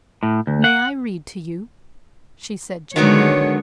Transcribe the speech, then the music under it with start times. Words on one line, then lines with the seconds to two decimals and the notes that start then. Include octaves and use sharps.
"May I read to you?" she said, gently.
0.23 A2
0.47 D2
0.64 F#5
2.96 D3 D#3 F#3 G#3 B3 C#5